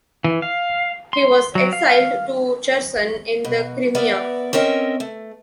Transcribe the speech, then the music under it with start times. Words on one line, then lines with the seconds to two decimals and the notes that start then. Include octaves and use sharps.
He was exiled to Cherson in the Crimea.
0.24 E3
0.42 F5
1.13 C6
1.55 F#3
1.73 F5
3.45 B2
3.95 B3 A#4 B4 D5 E5
4.53 C4 C#4 A#4 D#5 E5
5.00 A3